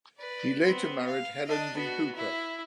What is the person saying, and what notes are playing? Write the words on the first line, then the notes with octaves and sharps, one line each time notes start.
He later married Helen V. Hooper.
B4 D5
B3 C4
F5
D4 D#5
B3 F#4
E4